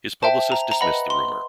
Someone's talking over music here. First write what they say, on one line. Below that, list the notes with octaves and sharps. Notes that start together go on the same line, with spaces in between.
His publicist dismissed the rumor.
C5 E5 G5 A5
A#5
A#5
B4 D#5 F#5 B5
C6